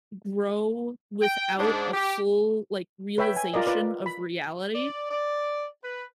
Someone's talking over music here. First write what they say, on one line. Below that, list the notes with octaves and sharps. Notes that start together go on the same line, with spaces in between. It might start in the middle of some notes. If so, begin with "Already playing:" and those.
grow without a full, like, realization of reality,
G5
G#2 D4
G4
B4 C#5 E5 G5 B5
G#5
F4 A#4 D5 D#5
F4 B4 D5
B5
D5
D5
B4